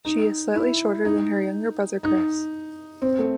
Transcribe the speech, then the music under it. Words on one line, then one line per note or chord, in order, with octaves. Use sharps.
She is slightly shorter than her younger brother Chris.
D#4
E4
D#4
D#4
C4
A3